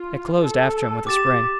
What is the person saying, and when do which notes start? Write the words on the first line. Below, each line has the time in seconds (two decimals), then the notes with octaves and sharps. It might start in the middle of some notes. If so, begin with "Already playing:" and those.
It closed after him with a spring.
Already playing: F4
0.42 A4
1.07 G4 D6 A6 E7